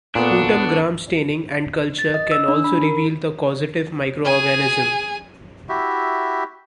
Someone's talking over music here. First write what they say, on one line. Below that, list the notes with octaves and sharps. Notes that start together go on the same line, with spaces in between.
Sputum Gram staining and culture can also reveal the causative microorganism.
A#2 B3 D4 A4 C#5
A6
D#5
E6
D4
B5
A#4
G#4 G#5
E4 F#4 G4 E5